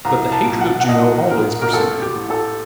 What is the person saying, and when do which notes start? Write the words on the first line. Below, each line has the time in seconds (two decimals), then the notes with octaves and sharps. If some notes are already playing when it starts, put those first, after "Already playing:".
But the hatred of Juno always pursued him.
0.05 C2 A#5
0.32 A5
0.46 A#2
0.61 F#5
0.81 F#5
0.88 C2 D#5
1.30 A#2 A#4
1.62 A#4
1.73 A1 A4
2.02 G4
2.15 A2
2.30 A4